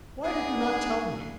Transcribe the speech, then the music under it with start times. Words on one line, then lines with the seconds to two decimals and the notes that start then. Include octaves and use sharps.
"Why did you not tell me?"
0.24 B3 D4 D#4 G#4